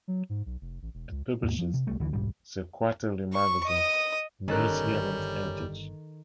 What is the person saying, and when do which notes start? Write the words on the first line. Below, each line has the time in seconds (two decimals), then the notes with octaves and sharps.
It publishes the quarterly magazine "New Zealand Heritage".
0.08 F#3
0.29 G#2
0.46 B1
0.61 F1
0.82 A1
0.94 E1
1.11 C#2
1.43 D#2 G#2 B2 A#3
1.58 F3
1.74 C3
1.87 C2 G3 A3
2.00 D2 D3 E3
2.13 D#1 B1 G#2 G3
3.33 C#6
3.66 D#5 D#6
4.48 G1 D#3 G3 C#4 A4 A#4 F#6